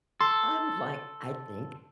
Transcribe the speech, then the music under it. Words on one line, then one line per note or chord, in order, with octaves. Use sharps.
I would like I think
A4 C6